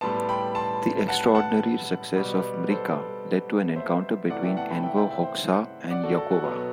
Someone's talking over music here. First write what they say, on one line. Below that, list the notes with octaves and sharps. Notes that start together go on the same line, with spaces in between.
The extraordinary success of "Mrika" led to an encounter between Enver Hoxha and Jakova.
A2 G3 B3 A5 C6
G5 B5
A5 C6
F#5 A5
F#5 A5
B2 G3 B3
A4 C5
C5 E5
C3 E3 A3 D5 F#5
E5 G5
F#5 A5
G5 B5
E5 G5
E5 G5
E5 G5
C5 E5
D5 F#5
F#4 A4
F#4 A4
F#4 A4
B2 F#3 B3